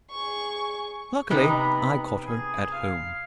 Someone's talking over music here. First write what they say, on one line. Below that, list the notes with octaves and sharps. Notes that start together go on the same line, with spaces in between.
Luckily, I caught her at home.
G#4 C#6
C3 B3 D#4 B5
G#4
F5